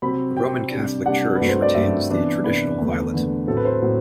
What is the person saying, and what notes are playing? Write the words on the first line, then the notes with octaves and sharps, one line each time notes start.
The Roman Catholic Church retains the traditional violet.
C3 F#3 C4 B5
C3 F#3 C4 G5
C3 G3 D4
C3 G3 D4 F#5
B4
G2 F#3 A3 C4
C5
D5
G2 F#3 A3 C4 E5
C3 E3 B3 D4
C3 E3 B3 D4 B4
E2 D3 A3
E2 D3 A3 B4
A2 F#3 C4 A4
B4
C5
A2 F#3 C4